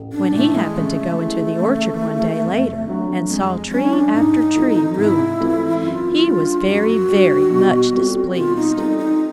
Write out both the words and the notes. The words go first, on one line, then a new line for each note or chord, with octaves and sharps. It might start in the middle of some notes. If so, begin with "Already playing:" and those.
When he happened to go into the orchard one day, later, and saw tree after tree ruined, he was very, very much displeased.
Already playing: A1
D4
A2 E3 A3
G#3
C#3 A3
E3 G#3
C#3
E3 G#3
F2
D3 F#3
F2 G#3
D3 F#3 C#4
D4
G#2 D#4
E3 A3 C4 F4
D#4
G#2 E4
E3 A3 C4 F4
F#2 F4
D3 G3
F#2 F#4
D3 G3
B2
G3 C4 F4 A4
B2 F4
D#4
G3 C4 D#4 F4 A4
D#4